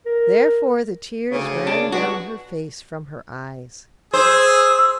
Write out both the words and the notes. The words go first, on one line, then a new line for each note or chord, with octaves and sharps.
Therefore the tears ran down her face from her eyes.
A#4
D2 C#3
D4
G#3 B3 D4 F#4
G#4 C5 E6